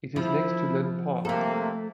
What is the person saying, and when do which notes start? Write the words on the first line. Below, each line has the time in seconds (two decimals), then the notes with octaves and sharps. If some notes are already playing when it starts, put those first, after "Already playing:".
It is next to Linn Park.
0.16 F3 E4
1.25 C3 A3 A#3 A4